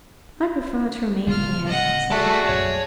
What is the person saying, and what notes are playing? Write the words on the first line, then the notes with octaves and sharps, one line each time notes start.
"I prefer to remain here," said the cat.
D1 C#3 B3 F4 F6
D#5 F#5
F#4 G#4 A4 D5 E5 A5
B1 F#2 A#2 C#5